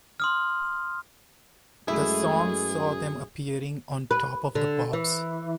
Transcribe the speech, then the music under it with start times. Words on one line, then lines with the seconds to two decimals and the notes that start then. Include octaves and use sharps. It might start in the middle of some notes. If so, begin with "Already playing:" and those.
The songs saw them appearing on "Top of the Pops".
0.20 C6 D#6 F6
1.88 F#2 G#3 A3 E4 G#4
4.11 B4
4.55 D3
4.93 E3